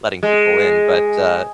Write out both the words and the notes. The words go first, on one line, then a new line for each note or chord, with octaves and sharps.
letting people in, but, uh,
G#3